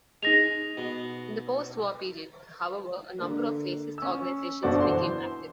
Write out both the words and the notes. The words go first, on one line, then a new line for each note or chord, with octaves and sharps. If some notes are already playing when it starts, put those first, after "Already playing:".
In the post-war period, however, a number of fascist organisations became active.
G#3 D#4 A#6 F7
B2
D3 A#3
C#4 E6
G1 B2 F#4 A4 C5 D5
E3 C5 C6